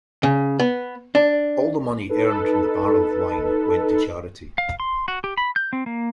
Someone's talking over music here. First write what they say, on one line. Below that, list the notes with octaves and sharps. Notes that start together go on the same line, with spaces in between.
All the money earned from the barrel of wine went to charity.
C#3
B3
D4
D#4 A4 B4
F5
C6
F#4
G4
B5
G6
C4
A#3